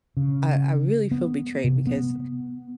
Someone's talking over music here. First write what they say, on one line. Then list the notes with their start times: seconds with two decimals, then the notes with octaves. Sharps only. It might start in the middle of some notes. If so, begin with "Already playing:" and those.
I I really feel betrayed because
0.17 C#3
1.11 B3
1.64 C3
1.87 B3